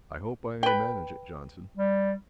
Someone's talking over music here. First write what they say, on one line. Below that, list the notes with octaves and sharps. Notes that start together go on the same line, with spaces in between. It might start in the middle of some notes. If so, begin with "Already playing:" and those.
"I hope I may manage it, Johnson."
B4 G5
G3